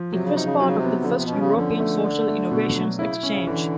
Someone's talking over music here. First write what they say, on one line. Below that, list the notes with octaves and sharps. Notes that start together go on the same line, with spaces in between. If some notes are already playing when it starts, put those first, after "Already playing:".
It was part of the first European Social Innovations Exchange.
Already playing: F3
C3 F#3
C#3
C3 D#4
C#3
C3
F#3
C#3
C3
B3
D3
C#3 F3
C3
B2
C#4
C#3
D3 F3
A3
D4
A3
B2
F#3
C#3 E4
C#4
C#3
D3 E3